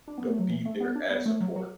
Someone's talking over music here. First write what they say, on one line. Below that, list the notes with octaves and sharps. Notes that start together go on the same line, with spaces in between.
but be there as support.
D4
B3
A3
F#3
E3
A3
B3
D4
B3
A3
F#3
F#3